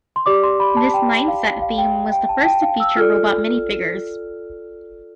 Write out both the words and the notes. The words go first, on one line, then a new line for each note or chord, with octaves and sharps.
This nine-set theme was the first to feature robot minifigures.
C6
G4 D5 D6
C6
B5
A5
G5
F5
F5
G5
G5
A5
A5
G5
F5
E6
F4 A4 D5 F6